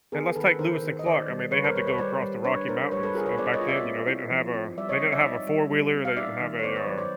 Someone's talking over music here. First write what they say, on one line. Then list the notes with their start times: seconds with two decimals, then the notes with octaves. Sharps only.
And let's take Lewis and Clark, I mean, they had to go across the Rocky Mountains. And back then, you know, they didn't have a they didn't have a four-wheeler. They didn't have a, uh
0.12 B3 G#4 A#4
0.36 D#3 A4 B4
0.59 D#3 A#4 C5
0.82 D#3
0.99 D#5
1.06 D#3 C5 D5
1.29 G3
1.52 G3 B4 C#5
1.64 A#4 C5
1.76 G3 B4 C#5
1.87 B4 C#5
1.98 G3 C5 D5
2.21 G3
2.45 D4 B4 C#5
2.68 D4 A#4 C5
2.91 G3 B4 C#5
3.03 A4 B4
3.14 F4 G#4 A#4
3.26 B4 C#5
3.38 B3 C5 D5
3.54 C#5 D#5
3.61 F4
3.69 D5 E5
3.84 C4
4.07 E4
4.31 F3
4.54 C4
4.77 G3 D5 E5
4.89 C#5 D#5
5.02 C4
5.12 D5 E5
5.24 D#4
5.47 G3
5.71 G3
5.94 C4
6.05 F5
6.17 D#4 D5 E5
6.40 D#3
6.59 C#5
6.63 B3 C5 D5
6.76 B4 C#5
6.87 F#3
6.98 C5 D5